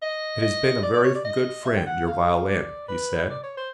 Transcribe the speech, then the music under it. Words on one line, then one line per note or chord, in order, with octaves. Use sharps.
"It has been a very good friend, your violin," he said.
D#5
D#5
D5
D5
C#5
D5
D#5
E5
G5
F#5
F5
D5
B4
D5
C#5
C5